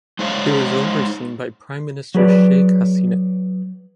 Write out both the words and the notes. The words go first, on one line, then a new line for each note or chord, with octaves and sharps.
It was overseen by Prime Minister Sheikh Hasina.
G#3 D#4 C5 C#5 F5
F#3 G#4 B4 D5